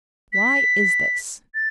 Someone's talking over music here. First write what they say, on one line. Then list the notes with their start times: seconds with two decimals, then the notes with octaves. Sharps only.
"Why is this?"
0.33 B6
1.55 A6